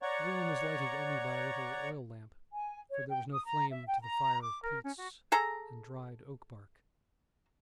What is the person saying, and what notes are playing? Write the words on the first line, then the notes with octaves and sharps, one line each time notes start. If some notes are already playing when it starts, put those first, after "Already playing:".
The room was lighted only by a little oil-lamp, for there was no flame to the fire of peats and dried oak-bark.
C#5 D5 F#5 A#5 C#6
G#5
C#5
G5
D#6
A#5
E5
G5
A#5
D6
A#4
C#4
F#4
G#4 A4 A#5